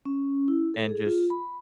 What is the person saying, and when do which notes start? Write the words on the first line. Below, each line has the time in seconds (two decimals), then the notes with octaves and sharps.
and just
0.05 C#4
0.48 E4
0.74 A4
0.89 G#4
1.06 F4
1.30 B5